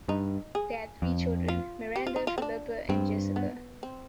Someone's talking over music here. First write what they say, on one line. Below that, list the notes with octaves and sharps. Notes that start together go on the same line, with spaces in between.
They had three children, Miranda, Philippa, and Jessica.
G2 D#4
G#4
F2
F4
G4
F4
D#4
F4
C4
D4
G2 C4
B3
C4